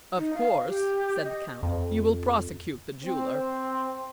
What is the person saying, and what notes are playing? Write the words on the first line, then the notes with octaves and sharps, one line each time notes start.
"Of course," said the Count, "you will prosecute the jeweler."
D#4
F5
G4
D#5
F2
C4